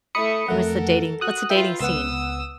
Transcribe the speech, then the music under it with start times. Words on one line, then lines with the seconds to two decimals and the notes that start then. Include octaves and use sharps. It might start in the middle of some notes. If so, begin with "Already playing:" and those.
what's the dating What's the dating scene
0.15 A3 E4 B5 D#6 C#7
0.48 F2 A3 A4 A#4 F#5
1.21 F#4 D#6 F#6
1.50 F4 B4 E5 G5
1.81 C#2 B3 F#5 D#6 E6